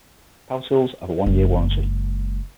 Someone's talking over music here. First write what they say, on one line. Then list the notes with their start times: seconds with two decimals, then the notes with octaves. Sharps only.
Power tools have a one-year warranty.
1.26 F#1 G#3